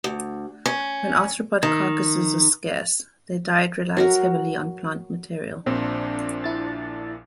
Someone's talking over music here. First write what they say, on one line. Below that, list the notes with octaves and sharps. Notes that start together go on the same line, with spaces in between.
When arthropod carcasses are scarce, their diet relies heavily on plant material.
D2
C#4
D#3
F#3 F#4 A#4
A#1 A#2 C4 D4
E4 A6